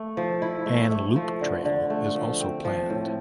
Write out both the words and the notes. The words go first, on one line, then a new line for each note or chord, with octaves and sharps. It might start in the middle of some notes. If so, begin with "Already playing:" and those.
An loop trail is also planned.
Already playing: A3
F3
E4
A3
A3
F3
D3
D3
A3
F3
C4
F3
A2